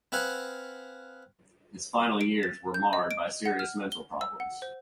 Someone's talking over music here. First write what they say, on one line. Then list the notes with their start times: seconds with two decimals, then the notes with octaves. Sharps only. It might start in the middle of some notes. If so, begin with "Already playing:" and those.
His final years were marred by serious mental problems.
0.12 C4 B4 F5 F#5 G#5
2.21 D7
2.43 A6
2.74 G6
2.93 D#5
3.11 D7
3.45 F#5
3.59 F6
3.92 G7
4.21 E6
4.40 F#5
4.62 C5